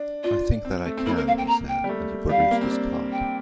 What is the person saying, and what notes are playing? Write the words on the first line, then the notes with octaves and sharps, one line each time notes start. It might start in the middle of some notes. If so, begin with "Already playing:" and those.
"I think that I can," he said, and he produced his card.
Already playing: D4
D4 F4
C4
A3
C4
A#3 E4
A#4
F5
G5
A#5
G5
G3
A3
G3 F5
G3
A#3
C4
D4
G5